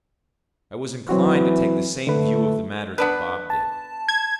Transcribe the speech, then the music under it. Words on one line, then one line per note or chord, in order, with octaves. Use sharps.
I was inclined to take the same view of the matter that Bob did.
E3 F#3 C4 F#4
D3 A3 B4
B3 D4 B4
A5
G#6